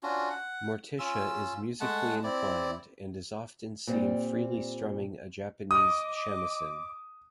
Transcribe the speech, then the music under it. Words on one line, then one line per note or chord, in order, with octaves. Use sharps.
Morticia is musically inclined, and is often seen freely strumming a Japanese shamisen.
C#4 D4 F4 F#4
F#5
C#4 F4 E6
G#3 A3 F#5 A5
C4 E4 D5
A#2 G3 C4
D#5 D6 D#6